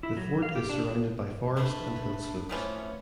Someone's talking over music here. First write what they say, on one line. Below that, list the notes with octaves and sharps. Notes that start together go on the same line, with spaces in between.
The fort is surrounded by forest and hill slopes.
E4
F#3
F5
G4
D4
A3 D4 B4
E3 F3 A3 B3 C#4